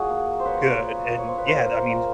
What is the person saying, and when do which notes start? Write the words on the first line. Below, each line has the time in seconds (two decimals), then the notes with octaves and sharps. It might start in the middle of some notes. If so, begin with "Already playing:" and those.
good, and, yeah, that means
Already playing: A#2 F#4 G#4
0.09 A#3
0.39 C5
0.45 A#3 B4 C#5
0.81 A#2
1.18 A#3 C#5
1.28 C5
1.38 B4
1.47 A#4 C5
1.54 A#3
1.90 A#2